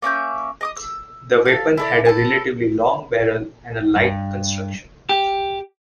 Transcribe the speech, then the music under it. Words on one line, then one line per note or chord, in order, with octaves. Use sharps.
The weapon had a relatively long barrel and a light construction.
A#3 C#4 E5 G6
D#5 D6 D#6
E6
A4 F5
E4 A4 D5
A4 B4 G#5 A5
G2
G4